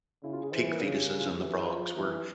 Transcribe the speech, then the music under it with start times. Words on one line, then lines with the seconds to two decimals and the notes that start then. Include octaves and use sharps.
p pig fetuses and the frogs were
0.23 C#3 E4
0.33 F4
0.43 G#4
0.52 E3 C5
0.62 C5
0.72 A#4
0.80 C#3 G#4
0.96 G4
1.06 A#4
1.10 G#4
1.20 F4
1.29 E4
1.39 E3 G4
1.53 G#4
1.68 F3
1.96 E3 G4